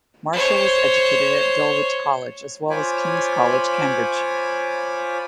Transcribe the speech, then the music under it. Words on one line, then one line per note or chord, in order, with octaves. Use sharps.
Marshall was educated at Dulwich College as well as King's College, Cambridge.
C5 C#5
F4 C5 C#5 G#5 B5 D6